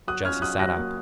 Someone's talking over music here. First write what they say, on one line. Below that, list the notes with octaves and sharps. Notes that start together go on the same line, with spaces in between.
Jesse sat up.
F#3 D#6 F#6
C#4 F6 G#6
F#3 D#6 F#6
F#3 F#6 A#6
A#3